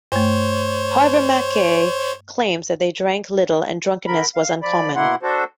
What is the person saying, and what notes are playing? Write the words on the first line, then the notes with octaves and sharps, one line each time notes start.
However, Mackay claims that they drank little and drunkenness was uncommon.
G2 A3 C5 C#5
D3 A#4 B5
F5
F3 D5 B5
B2 A#3 E4 F#5 C6
D4 F#4 A4 C5